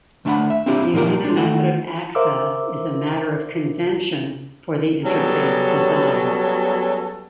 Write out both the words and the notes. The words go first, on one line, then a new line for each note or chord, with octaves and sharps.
Using a method of access is a matter of convention for the interface design.
D2 A3 D4 E5 F#5 B5
E5
C4 D4 E4 F4 G4
A#2 F3 A#3 D#4 G4 A#4
G#3 D4
D#3 A3 F#4
A#4 C5 E5 F5 D6 E6
F#3 G3 B3 C#4 G#4 A4